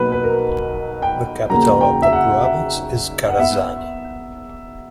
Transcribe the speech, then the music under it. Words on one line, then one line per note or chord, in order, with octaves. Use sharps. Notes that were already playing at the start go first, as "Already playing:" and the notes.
The capital of the province is Charazani.
Already playing: B1 B2 F#3 A#3 B4
B4
A#4
G5
E2 C#3 F#3 A#3 A#5
G5
E5
F#5
E5
F#5
B3 E5